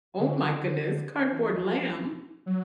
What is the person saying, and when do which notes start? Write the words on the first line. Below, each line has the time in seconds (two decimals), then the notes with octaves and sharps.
Oh my goodness, Cardboard Lamb?
0.19 D3
1.32 E3
1.61 F3
2.46 F#3